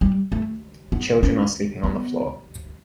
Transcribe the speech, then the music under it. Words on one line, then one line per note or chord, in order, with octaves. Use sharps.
Children are sleeping on the floor.
G3
A3
B3
C#4
B3